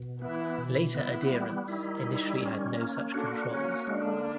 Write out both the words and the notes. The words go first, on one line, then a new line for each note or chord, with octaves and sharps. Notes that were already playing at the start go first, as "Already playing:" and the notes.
Later adherents initially had no such controls.
Already playing: B2
E3 B3 E4
B2
E3 B3 E4
G3
D#3 D#4 E4
G3
C#4
A#3
D3 D4 F#4
A#3 C#4
D3 G#3 D4